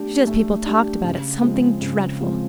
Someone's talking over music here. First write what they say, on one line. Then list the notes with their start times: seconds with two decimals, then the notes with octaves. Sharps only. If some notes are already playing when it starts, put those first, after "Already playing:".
She says people talked about it something dreadful.
Already playing: A3 D4 G4
0.27 A3
0.66 D4 G4
1.04 C#3
1.43 F3 G#3 C4
1.82 C#3
2.21 F3 G#3 C4